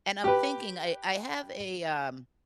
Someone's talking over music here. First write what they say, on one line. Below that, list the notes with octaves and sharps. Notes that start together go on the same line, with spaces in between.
and I'm thinking I I have a, um
G4 B4